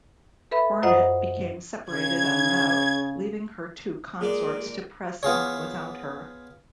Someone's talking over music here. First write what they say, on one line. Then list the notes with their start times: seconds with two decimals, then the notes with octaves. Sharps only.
"Hornet" became separated en route, leaving her two consorts to press on without her.
0.51 A4 B4 E5 B5
0.82 F#2 F4 C5 D#5 F#5 D#6
1.90 C#3 G#6
4.21 A#2 G#3 G#4 D5
5.23 B3 F4 G#4 C#5